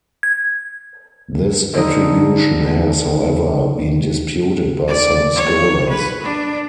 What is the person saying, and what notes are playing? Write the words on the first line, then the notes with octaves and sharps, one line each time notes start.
This attribution has, however, been disputed by some scholars.
G#6
D3 D#4
D5
C#5
B4
D4